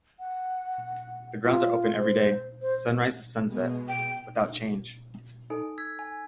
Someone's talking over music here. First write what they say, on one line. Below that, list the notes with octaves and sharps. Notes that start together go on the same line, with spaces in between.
The grounds are open every day, sunrise to sunset, without charge.
F#5
F4
C5
C5
B2 G#3 B3
G5
D#4 A4 G#5
E6 G#6 B6
G#5